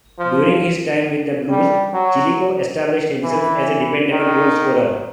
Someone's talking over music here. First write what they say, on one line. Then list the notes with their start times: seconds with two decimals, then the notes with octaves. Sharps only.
During his time with the "blues", Chilikov established himself as a dependable goal-scorer.
0.19 F3
1.49 G3
1.93 F#3
3.23 E3
4.11 D#3